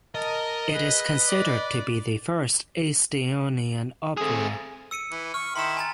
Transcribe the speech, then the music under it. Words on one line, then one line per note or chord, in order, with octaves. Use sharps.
It is considered to be the first Estonian opera.
A#4 D#5 A5
G#4 B4
D5
C4 G#4 A4 D#6
E6 C#7 D#7
E3
C#6 F6
D#3 E4 C6 E7
G#5 A#5 A6